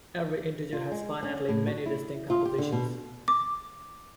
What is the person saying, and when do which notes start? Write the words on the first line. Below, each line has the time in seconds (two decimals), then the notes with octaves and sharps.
Every integer has finitely many distinct compositions.
0.73 F4
0.92 G#3
1.23 C#4
1.48 A2
1.67 F#4
1.86 E4
2.30 F4
2.45 G4
2.58 D3
2.72 B2
3.28 D6